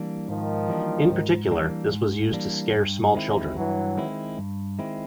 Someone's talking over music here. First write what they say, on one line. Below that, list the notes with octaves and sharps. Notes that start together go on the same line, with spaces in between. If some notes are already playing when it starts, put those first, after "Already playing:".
In particular, this was used to scare small children.
Already playing: E3 G3 A#3 D4
G#2 D#3 F3
E3 G3 A#3 D4
G#2
E3 G3 A#3 D4
G#2
E3 G3 A#3 D4
G2
D#3 G#3 C4 E4
G2 E3 F#3
D#3 G#3 C4 E4
G2
D#3 G#3 C4 E4